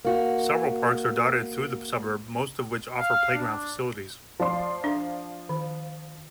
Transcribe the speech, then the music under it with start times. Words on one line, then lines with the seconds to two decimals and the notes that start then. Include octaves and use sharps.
Several parks are dotted through the suburb, most of which offer playground facilities.
0.04 A#3 F#4
2.98 F5
3.33 D4
4.40 F3 D5 C6
4.84 D4
5.49 D#3